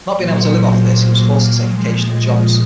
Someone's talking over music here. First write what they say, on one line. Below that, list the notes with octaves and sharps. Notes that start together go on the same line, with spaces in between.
Not being able to live off this, he was forced to take occasional jobs.
A#2 F#3 A#3 C5
A#2 F3 G#3
D#5